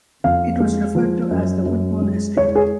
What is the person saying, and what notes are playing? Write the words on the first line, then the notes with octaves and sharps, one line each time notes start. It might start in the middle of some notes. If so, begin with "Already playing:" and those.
It was referred to as the Woodbourne Estate.
F2 F5
G#3
F3
F#2
F#2
G#3
G#3 C#5
G#4